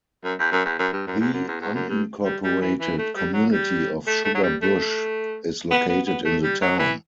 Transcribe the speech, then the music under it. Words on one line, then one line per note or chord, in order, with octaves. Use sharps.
The unincorporated community of Sugar Bush is located in the town.
F#2
E2
F#2
E2
F#2
G2
F#2
E2
F#2
E2
E2
F#2
G2
G3
G3
E3
E3
A3
G3
F#3
G3
A3
A3
F#3
G3
A3
B3
B3
B3
A3
G3
F#3
E3